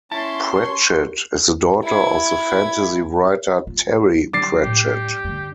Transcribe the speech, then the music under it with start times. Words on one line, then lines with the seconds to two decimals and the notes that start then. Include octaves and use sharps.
Pratchett is the daughter of the fantasy writer Terry Pratchett.
0.12 C#4 E4 A5 C6
0.63 C#5
1.84 E4 G#6
3.67 F4
4.33 G3 D4 D6 A6 C7
4.64 A2 G4
5.24 G2 D3